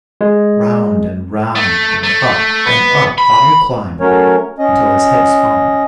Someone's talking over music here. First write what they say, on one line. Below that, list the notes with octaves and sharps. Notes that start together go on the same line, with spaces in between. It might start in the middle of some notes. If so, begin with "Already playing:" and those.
Round and round and up and up Otto climbed, until his head spun.
G#3
A3
A3
B3
B5
F#3 A3 C#4 A#4 C#5
C#4 D#5